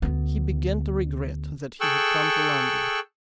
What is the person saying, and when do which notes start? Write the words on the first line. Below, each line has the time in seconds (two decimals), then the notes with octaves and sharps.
He began to regret that he had come to London.
0.02 D2 B3
1.81 G#4 A4 G5 C#6 E6 F#6